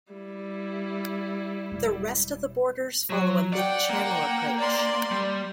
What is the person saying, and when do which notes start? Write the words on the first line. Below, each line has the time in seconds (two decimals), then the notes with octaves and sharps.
The rest of the borders follow a mid-channel approach.
0.12 G3 E4
1.72 E1
3.10 F#3
3.53 D5 F#5 G5
3.90 A#3
4.57 D5 C6
5.11 G3